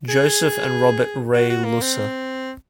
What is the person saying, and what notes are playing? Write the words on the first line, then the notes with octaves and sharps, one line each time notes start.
Joseph and Robert 'Ray' Lusse.
G#4
F#4
F#4
A#3
C4